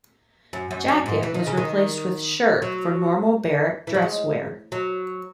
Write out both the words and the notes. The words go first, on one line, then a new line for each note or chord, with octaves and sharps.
Jacket was replaced with shirt for normal barrack dress wear.
F#2
F#2
F#2
G#2
E3
D#3
C#3
D#3
F#3
E3
F#3
G#3
F#3